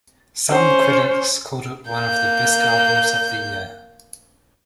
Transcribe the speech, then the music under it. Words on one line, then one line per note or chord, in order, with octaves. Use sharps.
Some critics called it one of the best albums of the year.
C#4 C5
A#3 G6